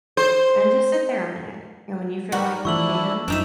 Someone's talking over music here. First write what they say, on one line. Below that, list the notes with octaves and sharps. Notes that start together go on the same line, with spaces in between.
and just sit there a minute, and when you feel like you can,
C5
G#2 F#4 A#4 B4 F#5
E3 F3 A3 D4 E4 C#6 E6 F#7
F#2 F3 D4 D#4 E5